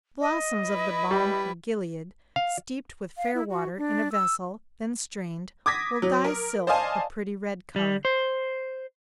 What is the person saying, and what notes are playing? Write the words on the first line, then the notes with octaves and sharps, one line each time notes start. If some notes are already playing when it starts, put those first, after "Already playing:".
The blossoms of the Balm of Gilead, steeped with fair water in a vessel, then strained, will dye silk a pretty red color.
D#5
E4 B4
G3
F5
F5
E4
F#4
D4
E6
D6 D#6 G#6 A#6 B6
F#3
A#4
C5 D5 D#5 F5 G#5 A5
G3
C5